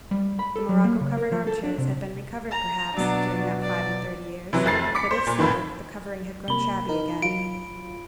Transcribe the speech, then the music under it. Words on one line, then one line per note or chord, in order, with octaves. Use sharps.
The morocco-covered arm-chairs had been re-covered, perhaps, during that five-and-thirty years; but if so, the covering had grown shabby again.
G3
B5
A4
F#3
A#3
C#3
A#4
F3
A4
D4
C3
A#5
B2 F#3 D4
D5
C3 E3 F#3
F1 F2 A6 C7
D6 B6 C#7
C5
A#2
F2 A2 D#3 E3
C3 A#3 B5 G7
D#4 A#4
F#3 F4 D7